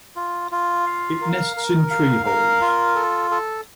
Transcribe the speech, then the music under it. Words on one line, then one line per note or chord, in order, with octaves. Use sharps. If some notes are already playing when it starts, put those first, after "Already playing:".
It nests in tree holes.
F4
F4
F5
A#4
A#4
F5
A#4
F4
A4
A4